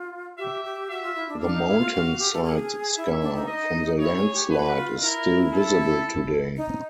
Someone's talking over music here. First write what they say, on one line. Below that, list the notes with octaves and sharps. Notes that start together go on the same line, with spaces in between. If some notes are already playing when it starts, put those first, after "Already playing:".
The mountainside scar from the landslide is still visible today.
Already playing: F4
G4 E5
G4
F#4 E5
F4
E4
D4
D4 F5
D#4
E4
F4
F#4
G4
A4
G#4
E4 E5
D4
D#4
D#5
E4 C#5
G#4
G4
F#4 B4
F4
D#4
E4 A#4
A4
D#4